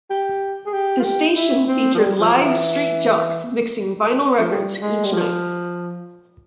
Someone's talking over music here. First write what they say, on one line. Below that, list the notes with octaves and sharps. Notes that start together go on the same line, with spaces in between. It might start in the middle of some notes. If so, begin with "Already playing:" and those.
The station featured live street jocks mixing vinyl records each night.
G4
G#4
G4
F4
G4
E4
C4
F3
G3
F3
F3
E3
F3
G3
G#3
G3
F3